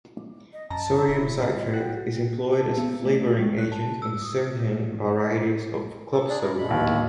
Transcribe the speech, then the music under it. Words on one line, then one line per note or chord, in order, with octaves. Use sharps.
Sodium citrate is employed as a flavoring agent in certain varieties of club soda.
D#5
F#2 A5 A#5
D1 E4
A2 F4
F#4 G5
A5
B3
A3
G#3
F#6
A5
E6
D#6
A4
D4 G#4 D5
E4 A#4
B2 G#3 B5
D1 D#2